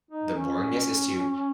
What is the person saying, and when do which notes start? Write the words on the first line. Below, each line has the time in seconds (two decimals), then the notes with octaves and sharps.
the boringness is to
0.11 D#4
0.35 C#4